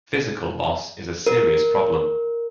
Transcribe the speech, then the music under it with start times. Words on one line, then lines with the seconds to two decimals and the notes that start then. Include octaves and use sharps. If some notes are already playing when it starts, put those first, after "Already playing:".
Physical loss is a serious problem.
1.27 A#4